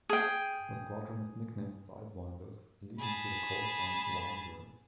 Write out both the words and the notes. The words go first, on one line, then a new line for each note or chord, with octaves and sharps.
The squadron is nicknamed "Sidewinders", leading to the call sign "Winder".
G#4 G5
G#4 A5 B5